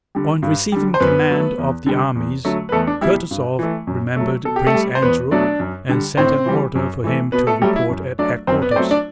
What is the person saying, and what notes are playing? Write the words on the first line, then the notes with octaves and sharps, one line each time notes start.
On receiving command of the armies Kutuzov remembered Prince Andrew and sent an order for him to report at headquarters.
D3 G3
G2
D3 G3
C5
F#2 B3 B4
F#3 A3
E2
D3 G3
E2
D3 F#3 A3
B4
E2 A3 A4
D4
B2 G3 E4
G2
E3 A3
F#2
F#3 A3
B2 A4
G4
A3 A4
G3
C5
E2 B3 B4
B2 F#3 A3 D4 D5
F#2
D3 G3
A2 C4 C5
E3 G3
F#2
E3 A3
B2 B3 B4
A3 A4
F#3 G3 A3 G4
E4
F#2
F#3 A3 D4 D5
F#2 C4 C5
B3 B4
D5
F#3 A3 C4 C5
D4 D5